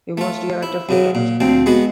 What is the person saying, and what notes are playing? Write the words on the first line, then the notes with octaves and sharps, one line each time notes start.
He was re-elected four times.
A3 F4
E4
F#2 C#3 F#3
A#2
D2 F3 C4
G#3 B3 F#4